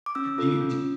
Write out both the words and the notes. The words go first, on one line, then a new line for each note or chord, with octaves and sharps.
Do you do
D6
C#4 E6
F4 A4
C#4